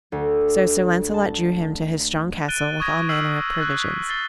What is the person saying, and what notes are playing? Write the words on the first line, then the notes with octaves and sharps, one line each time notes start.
So Sir Launcelot drew him to his strong castle, with all manner of provisions.
D2
A5
F#6 A6 D7 D#7 G7
C#6 D#6 G#6 A#6
E6 F6 G6 B6 C7
F#6
F6 B6
A6 C7 G7